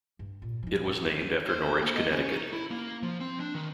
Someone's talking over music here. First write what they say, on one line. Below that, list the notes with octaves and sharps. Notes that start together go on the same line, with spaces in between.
It was named after Norwich, Connecticut.
G2
A#2
F3 D#4
C5
A#3
D#5
C#4
D#4
E4
A#3
F3
C4
D4
D#3